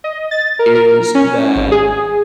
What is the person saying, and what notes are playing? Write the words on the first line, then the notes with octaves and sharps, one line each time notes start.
is that
D#5
A6
A#4
A#4
C#4
G#1
G#4